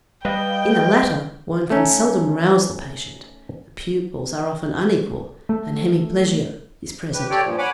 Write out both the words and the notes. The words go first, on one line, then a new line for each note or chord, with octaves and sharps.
In the latter one can seldom rouse the patient, the pupils are often unequal, and hemiplegia is present.
G3 B4 D#5 F5 G5
A3 C#4 D#4
A3
G4 B4
G4 A4 C#5 D5 G5
G2 A#2 F3
C#5 F#5 G#5 B5 D6